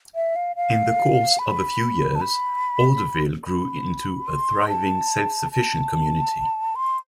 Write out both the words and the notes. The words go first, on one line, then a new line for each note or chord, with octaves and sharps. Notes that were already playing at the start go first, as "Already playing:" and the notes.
In the course of a few years, Orderville grew into a thriving, self-sufficient community.
E5
F5
F5
B5
A5
B5
B5
C6
A5
A5
C6